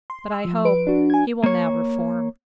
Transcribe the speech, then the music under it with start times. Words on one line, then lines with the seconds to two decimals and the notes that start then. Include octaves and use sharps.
But I hope he will now reform.'
0.10 C6
0.32 E6
0.45 F3
0.65 B4 D7
0.87 D4 F#4
1.10 G#5 G#6
1.44 A#3 C#5